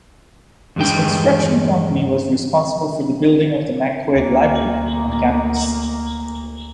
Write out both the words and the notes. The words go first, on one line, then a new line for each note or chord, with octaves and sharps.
His construction company was responsible for the building of the McQuaid Library on campus.
E2 G2 G#3 G5
D2 A#3